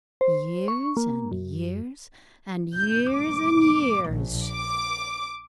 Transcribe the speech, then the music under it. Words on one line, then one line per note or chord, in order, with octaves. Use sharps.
Years and years and years and years!
C5
C#6
A#3
F#2
G6
D6
A#1
D6